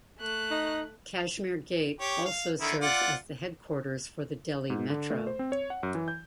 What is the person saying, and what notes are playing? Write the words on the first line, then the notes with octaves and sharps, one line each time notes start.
Kashmere Gate also serves as the Headquarters for the Delhi Metro.
A3 F#6
D#4
G4 C#5
F5
D3 D#3 E4
F4 D5 F#5
G#2
D3
A3
C5
C4
C#5
F#5
F#2
E3
G6